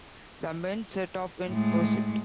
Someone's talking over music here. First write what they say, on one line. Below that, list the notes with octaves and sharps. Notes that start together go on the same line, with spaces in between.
The men set off in pursuit.
A2 G#3